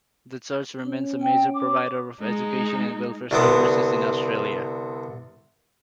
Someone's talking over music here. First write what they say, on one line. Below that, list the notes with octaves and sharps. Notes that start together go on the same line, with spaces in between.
The church remains a major provider of education and welfare services in Australia.
C#4
G5
D6
G#3 D#4
C2 D3 B3 C4 D6 D#6